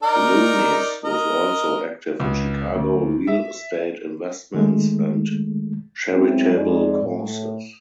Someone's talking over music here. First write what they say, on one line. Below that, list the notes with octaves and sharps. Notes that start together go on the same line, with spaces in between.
Loomis was also active in Chicago real estate investments and charitable causes.
D#4 A#4 D5
A#4 D#5
C#2
D2
E5
D#3 G#3 A3
G#2 F#3 B3 C4 E4 G#4
F2 G#3 D#4 G#4 D5
A2